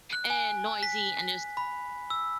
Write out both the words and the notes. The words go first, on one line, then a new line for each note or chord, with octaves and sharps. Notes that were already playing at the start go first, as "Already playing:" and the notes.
and noisy, and there's
F#6
G#5
B6
B5
E6